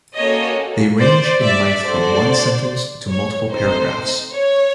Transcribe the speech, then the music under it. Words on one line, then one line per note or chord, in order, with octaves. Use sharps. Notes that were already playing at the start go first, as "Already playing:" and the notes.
They range in length from one sentence to multiple paragraphs.
A#3 C#4 F#4 A4 C#5 D#5
C5 D5
D5 E5
D4 F#4 A4 C5 D5
C#5
A3 C4 D#4 C5
C#5